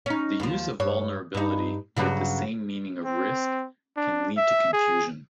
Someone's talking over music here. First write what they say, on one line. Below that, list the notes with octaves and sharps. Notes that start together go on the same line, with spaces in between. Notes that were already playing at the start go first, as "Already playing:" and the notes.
The use of vulnerability with the same meaning of risk can lead to confusion.
C#4 D#4
D#2 F3
G2 C#5
G2 D#4
G2 C#3 F#3
C4
D4
E5
G#4